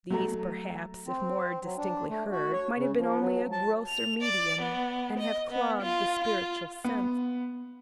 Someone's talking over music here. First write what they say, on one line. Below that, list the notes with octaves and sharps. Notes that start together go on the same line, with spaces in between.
These, perhaps, if more distinctly heard, might have been only a grosser medium, and have clogged the spiritual sense.
F#3 A3 A#5
C4
F#3
D4
A3
F#4
C#5
C#3
F3
F#3
A5
F7
D5
B3
D#5
B3
F4
F4
B3